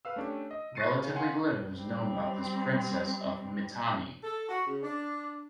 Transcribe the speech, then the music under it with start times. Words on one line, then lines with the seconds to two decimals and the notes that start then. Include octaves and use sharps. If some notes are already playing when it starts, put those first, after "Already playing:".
Relatively little is known about this princess of Mitanni.
0.05 B4 F5 E6
0.16 A3 C#4 D4 G4
0.51 D#5
0.75 C#6 A6 C7 C#7 D#7
1.02 C#3
1.15 F5 F#5 G#5 C6
1.73 G3 C4
4.23 A4
4.48 F#4
4.67 C#3
4.83 D4